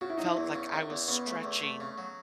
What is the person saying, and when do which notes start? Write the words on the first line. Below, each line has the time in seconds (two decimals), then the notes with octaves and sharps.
felt like I was stretching
0.01 C#3 F#4
0.10 E4
0.18 F#3 D#4
0.25 E4
0.37 E2
0.54 C#3
0.73 C#3
0.90 E2
1.08 C#3 B3
1.26 A3
1.44 E2
1.62 A3
1.80 C#3
1.98 F#3